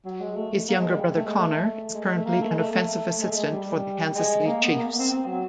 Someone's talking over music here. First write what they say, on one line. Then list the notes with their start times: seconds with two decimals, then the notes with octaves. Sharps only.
His younger brother Connor is currently an offensive assistant for the Kansas City Chiefs.
0.05 F#3
0.21 G#3
0.37 A3
0.68 A#3
0.79 G#3
0.89 G3
1.00 G#3
1.15 A3
1.27 G#3
1.38 A3
1.95 G#3
2.05 G#3
2.15 A3
2.26 A#3
2.42 A3
2.52 G#3
2.58 A3
2.73 A3
3.21 G#3
3.30 A3
3.36 G#3
3.52 G3
4.15 G#3
4.47 A#3
4.63 B3
4.78 A#3
4.89 B3
5.00 C4
5.10 C4
5.26 F#3